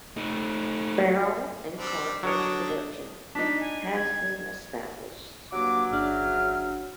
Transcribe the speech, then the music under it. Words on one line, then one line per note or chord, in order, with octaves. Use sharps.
Barrel and cartridge production has been established.
A3 D#4
G3 C4 D4
D3 F#3 D4 A#4 C#5 D#5
D4 D#4 B6
G#5
G#6
G2 F#3 A#3 D6
G1 C#3 D4 E5 F6